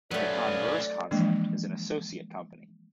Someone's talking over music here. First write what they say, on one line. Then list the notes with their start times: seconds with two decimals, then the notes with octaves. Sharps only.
The converse concept is an associate company.
0.11 F#3 A3 C#4 B4 D5
1.11 E3 F3 G#3 A#3 D4